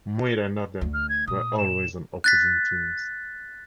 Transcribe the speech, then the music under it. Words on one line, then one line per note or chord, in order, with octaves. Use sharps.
Muir and Norden were always on opposing teams.
D2
F6
G#6
A#2 D#6
E7
F#6 A6 B6